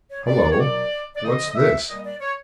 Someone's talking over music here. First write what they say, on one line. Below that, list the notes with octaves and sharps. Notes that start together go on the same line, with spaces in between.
"Hullo, what's this?"
C#5
D5
D5
C#5
C2 B2 F#3 A#3 D5
D5
F2 D3 F3 D#5
D#5
E5
A#2 G3 A#3 D#5
D5
C#5